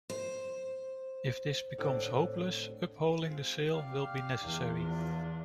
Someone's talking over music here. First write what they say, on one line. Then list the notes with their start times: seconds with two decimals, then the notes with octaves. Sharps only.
If this becomes hopeless uphauling the sail will be necessary.
0.10 C5
1.78 A2 D3 C4
3.25 G#3 C4 F4
3.73 G4 D5 F5
4.42 E2
4.78 F3 D4 F4